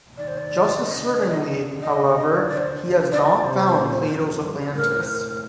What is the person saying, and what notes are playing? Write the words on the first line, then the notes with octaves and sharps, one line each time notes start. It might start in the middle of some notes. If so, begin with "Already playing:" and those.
Just as certainly, however, he has not found Plato's Atlantis.
D#3 D5
C5
D5
D3 D#5
D#5
D5
D#5
D#5
D#5
D5
D5
C5
D5
D#5
D5
C3 C5
A#2
F2
G2
A2 A#4
C5
A#4